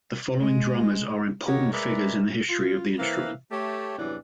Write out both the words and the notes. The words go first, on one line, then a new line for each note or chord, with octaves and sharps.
The following drummers are important figures in the history of the instrument.
G#3
F#4 G4 A#4 C#5 D#5
G#3 A#4 B4 D5 E5
F4
E3 A#3 C4 B4 E5 F5
A3 G4 C#5
E2 G2 C3 E3 F#3 D4